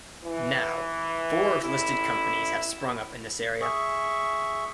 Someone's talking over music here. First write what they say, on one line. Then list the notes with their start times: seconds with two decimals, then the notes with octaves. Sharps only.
Now four listed companies have sprung up in this area.
0.23 E3
1.61 A1 E4
3.61 G#4 E5 C#6